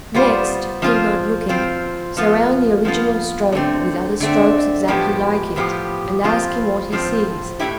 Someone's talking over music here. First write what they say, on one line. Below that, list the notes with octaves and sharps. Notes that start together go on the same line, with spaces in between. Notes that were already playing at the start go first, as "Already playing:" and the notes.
Next, he not looking, surround the original stroke with other strokes exactly like it, and ask him what he sees.
G3 B3 F4 C5
F3 C4 F4 C5
F3 C4 F4 C5
F3 B3 F4
F3 B3 F4
D3 A3 C4
D3 A3 C4
A2 F3 B3 E4 G4
A2 F3 B3 E4 G4
A2 F3 C4 F4 C5
A2 F3 C4 F4 C5
A2 E3 A3 E4 G4